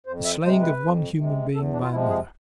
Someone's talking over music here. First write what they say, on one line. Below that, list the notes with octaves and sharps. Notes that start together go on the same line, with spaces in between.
The slaying of one human being by another.
F2 C5
E5
C3 G#3 C5
B4
F2
C3 G#3
E2 A4
D4
F4
C3 F3 G#3 E4
G#4